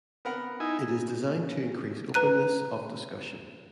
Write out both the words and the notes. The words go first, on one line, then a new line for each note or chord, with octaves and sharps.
It is designed to increase openness of discussion.
B3 A#4 F#5
D#4 E4 G#5
B4 A#5 F#6 D#7